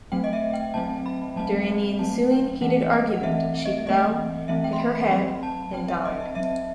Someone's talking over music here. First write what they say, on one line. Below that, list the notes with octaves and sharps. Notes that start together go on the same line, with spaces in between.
During the ensuing heated argument she fell, hit her head and died.
F#3 A3 C4 G5
D#5
E5
G5
F#3 A3 C4 A5
B5
F#3 A3 C4 A5
F#3 A3 C4 A5
G5
E3 A3 C4 F#5
D#5
F#5
E3 A3 C4 E5
E5
D#5
E3 A3 C4 D#5
E3 A3 C4 E5
G5
C6
B5
B5
F#3 C4 B5
A5
F#3 C4 G5
E5
D#5
E5
F#3 C4 E5